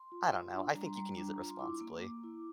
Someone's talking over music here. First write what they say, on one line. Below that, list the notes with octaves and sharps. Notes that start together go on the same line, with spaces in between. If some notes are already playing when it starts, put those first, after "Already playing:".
I don't know. I think you can use it responsibly.
Already playing: C6
F4
F4
D4
G3 A#5
C6
G3 A#5
D4
F4
C6
E4 D6
A#3
A#3
E4